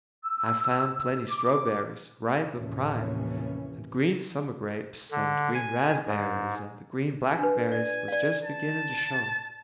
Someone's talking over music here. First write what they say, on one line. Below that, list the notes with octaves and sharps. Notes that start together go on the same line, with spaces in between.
I found plenty strawberries, ripe and prime; and green summer grapes, and green razberries; and the green blackberries was just beginning to show.
E6
D6
F1 D#2 A2 E3 C#4
D3
G#5
G#2
D4 B4
D5 G#5
D5 F5
A5